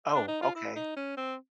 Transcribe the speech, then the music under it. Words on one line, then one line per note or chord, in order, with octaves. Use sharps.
Oh, okay.
D4
D#4
F4
E4
D#4
C#4
C4